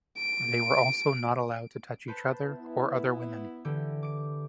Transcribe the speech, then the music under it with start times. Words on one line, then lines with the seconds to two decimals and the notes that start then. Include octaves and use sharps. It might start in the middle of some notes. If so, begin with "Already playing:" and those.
They were also not allowed to touch each other or other women.
0.18 D7
2.08 B4 C5 A5
2.48 B3 E4
3.65 D3 E3 G4
4.03 D6 D7